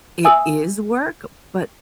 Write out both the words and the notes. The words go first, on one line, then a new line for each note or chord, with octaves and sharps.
it is work, but
E5 G#5 D#6 E6